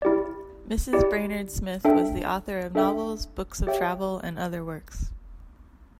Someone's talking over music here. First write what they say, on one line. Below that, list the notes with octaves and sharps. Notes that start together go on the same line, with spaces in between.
Mrs. Brainerd Smith was the author of novels, books of travel and other works.
E4 G4 D5
E4 G4 D5
D4 A4 E5 G5
D4 A4 E5 G5
G4 C#5 E5 G5